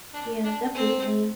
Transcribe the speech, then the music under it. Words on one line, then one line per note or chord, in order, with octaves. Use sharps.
Yeah, definitely.
D4
D4
C4